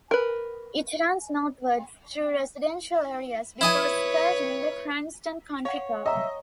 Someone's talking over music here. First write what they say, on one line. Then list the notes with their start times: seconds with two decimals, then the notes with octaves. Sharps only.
It runs northward through residential areas before skirting the Cranston Country Club.
0.11 A#4 B4
3.61 E4 B4 C#5 D#5 G#5
5.65 C#5 F5 F#5
6.06 D#5 E5 G5 A#5